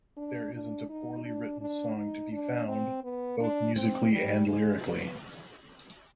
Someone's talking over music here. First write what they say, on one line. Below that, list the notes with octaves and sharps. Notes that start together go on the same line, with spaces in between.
There isn't a poorly written song to be found, both musically and lyrically.
D4
D4
D#4
D4
D4
D#4
D4
C4
B3
D4
C4
G3
G#3
B3